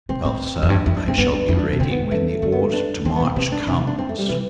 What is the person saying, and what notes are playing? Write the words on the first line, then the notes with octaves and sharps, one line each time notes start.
"Well, sir, I shall be ready when the order to march comes."
C3 C4
A2 C4
G2
F2
G2
F2 E4
D4
A2 C4
G2 B3
D4
F2 E4
D4
C3
D3 C4
B3
E3 A3
D3 A3
B3
A3
D4
D3 C4
B3
B2
C4
C3 C4
D4
C3 E4
D4
C4
A3
G3
C3 E3